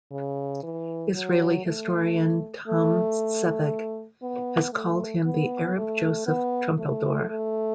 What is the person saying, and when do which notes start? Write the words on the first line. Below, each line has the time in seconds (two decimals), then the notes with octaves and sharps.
Israeli historian Tom Segev has called him 'the Arab Joseph Trumpeldor'.
0.12 C#3
0.63 E3
1.14 F#3
1.65 A3
2.68 A3
4.22 B3
4.73 A3
5.25 B3
5.76 A3
6.26 B3
6.79 A3
7.29 A3